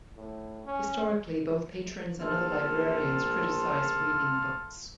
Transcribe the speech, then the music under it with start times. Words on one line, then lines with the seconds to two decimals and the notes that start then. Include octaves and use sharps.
Historically, both patrons and other librarians criticize weeding books.
0.16 A2
0.65 C#4
2.21 A#1 F4 A4 F5